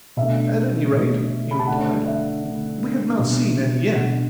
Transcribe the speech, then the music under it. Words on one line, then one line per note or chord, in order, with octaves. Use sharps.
"At any rate," he replied, "we have not seen any yet."
B2 A3 D4 E5
B2 A3 D4
B5
A5
D3 A3 D4 F#5
E5
D3 A3 D4
B2 B3 D4
B2 B3 D4 F#5